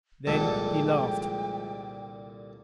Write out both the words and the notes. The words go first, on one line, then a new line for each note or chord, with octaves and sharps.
Then he laughed.
C2 A#2 D3 F3 G#3 A4 G5